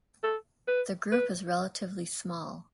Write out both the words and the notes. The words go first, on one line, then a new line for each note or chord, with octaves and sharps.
The group is relatively small.
A4
B4
B4